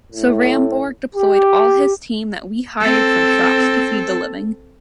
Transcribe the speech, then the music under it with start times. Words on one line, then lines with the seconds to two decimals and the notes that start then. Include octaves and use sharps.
So Rambourg deployed all his team that we hired from shops to feed the living.
0.10 A2
1.14 G4
2.81 C4 A4